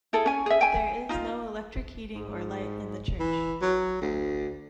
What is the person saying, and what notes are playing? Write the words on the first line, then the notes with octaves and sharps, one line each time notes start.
There is no electric heating or light in the church.
E4 G#4 A4
C#4 G#5
G#4 E5
G5 G#5
D#4 F4
G#2
E3
F#3
D2